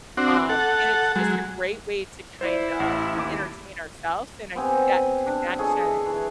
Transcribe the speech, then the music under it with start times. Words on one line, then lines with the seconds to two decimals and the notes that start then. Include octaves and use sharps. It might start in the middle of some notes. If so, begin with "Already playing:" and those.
um, and it's just a great way to kind of entertain ourselves and I think that connection
0.17 C4 D4 F#4
0.49 A4 F#5
1.16 F#3 G#3
2.41 E4 C5 D5
2.80 A1
3.17 D#2 D6
4.55 B3 C4 G4 G#5
5.26 D4
5.59 G#4 A4 C#5 D#5
6.06 E3